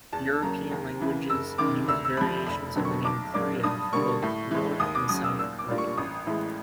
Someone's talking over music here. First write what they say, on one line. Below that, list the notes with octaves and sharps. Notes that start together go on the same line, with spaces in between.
European languages use variations of the name "Korea" for both North and South Korea.
E2 A5
C#3 F#3 A#3 A#5
D#2
C#3 E3
F#1 E6
F#2 D#3 D6
D2 E6
E6
C3 F3 B5
F1 B5
F2 D3 F#3 A#3
C#6
B1 D6
A#2 F#3 A#3 D4 D6
G2 D#6
D3 G3 A#3 C#6
A2
E3 G#3
D#2 D#6
D6
C#3 F#3 D#6
E6
A#2 E6
D6
G3 A#3 D4 F4
C#6
A1 D#6
A2 E3 G#3